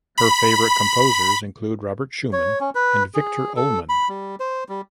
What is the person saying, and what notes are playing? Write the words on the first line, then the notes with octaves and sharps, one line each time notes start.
Her favourite composers include Robert Schumann and Viktor Ullmann.
B5
C#5
C#4
B4
G#4
A4
B5
G3
C5
G3